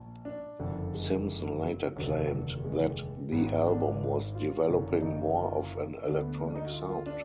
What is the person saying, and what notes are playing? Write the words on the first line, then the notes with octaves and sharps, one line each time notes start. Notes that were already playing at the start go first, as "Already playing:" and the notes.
Simpson later claimed that the album was developing more of an electronic sound.
Already playing: A#1 A#2
D4
F#1 F2 D3
G#3
F#3
F1 D#2 D3 F#3
G#3
G#1 G#2 D#3 B3
D4
F4
F#1 F#2 D3
D4
D#4
F4
D2 D3 D4
B3
A#3
D4
D#4
F#4
F4
F4
D4